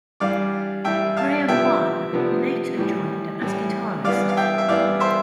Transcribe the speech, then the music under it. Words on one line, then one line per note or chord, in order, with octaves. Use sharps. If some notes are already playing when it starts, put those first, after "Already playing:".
Graham Wann later joined as guitarist.
G2 E3 G3 D5 F5
G2 E3 G3 E5 G5
F5 A5
C3 F3 B3 D4 E5 G5
C3 F3 B3 D4
A2 E3 G3
A2 E3 G3
G2 E3 B3 D5 F5
F5
E5 G5
E5
G2 E3 B3 D5 F5
C5 E5